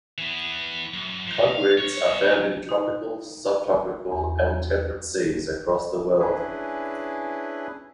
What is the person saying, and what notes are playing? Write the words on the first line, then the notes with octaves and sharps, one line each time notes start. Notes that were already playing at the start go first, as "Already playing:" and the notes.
Congrids are found in tropical, subtropical and temperate seas across the world.
E3 B3
F#2
F3 D#4
F5
B1 C#5
D#4
E2
C#4 D4 E4 G#4 B4